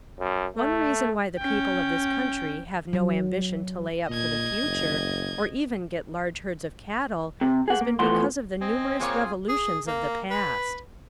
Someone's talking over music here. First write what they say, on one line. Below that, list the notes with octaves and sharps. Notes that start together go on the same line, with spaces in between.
One reason why the people of this country have no ambition to lay up for the future or even get large herds of cattle has been because of the numerous revolutions of the past.
F#2
A3
C#4 G5
F#3
A#2 D#5 G#6
F#1
C3
G#4 F#5
A#3
E3 F3 A3 B3 F#5 C6
C4 D#5 G#5
C3 A#3 F4 G#4 C#5 G#5
G#4
A#3
B4